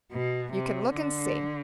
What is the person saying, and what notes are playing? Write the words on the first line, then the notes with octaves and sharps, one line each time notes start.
"You can look and see."
B2
C3
D3